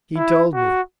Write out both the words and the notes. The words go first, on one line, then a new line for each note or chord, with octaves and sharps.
He told me.
E4
F#4